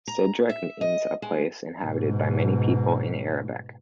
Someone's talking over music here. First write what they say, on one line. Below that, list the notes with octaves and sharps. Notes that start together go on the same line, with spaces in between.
Sedrak means a place inhabited by many people in Arabic.
A#5
E5
D#5
G#3
G#2 B2